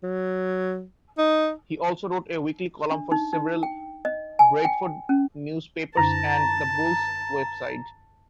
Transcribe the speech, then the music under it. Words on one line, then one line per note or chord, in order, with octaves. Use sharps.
He also wrote a weekly column for several Bradford newspapers and the Bulls website.
F#3
D#4
D4
D#4
D#4
G5
D#5
G#5
G5
C#4
F#2 D3 D4 A5 A#5